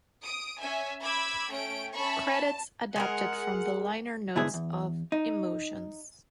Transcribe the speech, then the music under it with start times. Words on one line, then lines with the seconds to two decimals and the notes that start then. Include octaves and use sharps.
Credits adapted from the liner notes of "Emotions".
0.24 D#6 D7
0.59 C#4 E5 G#5
1.03 B5 D6 E6 G#6
1.49 A3 C#4 G5 D7
1.94 C#4 E5 A5 B5 C#6
2.30 A5
2.96 G#3 G#4 A#4 F#5
4.36 C2 G#2 D3 B3 E4 G#4
4.54 E2
5.12 D#4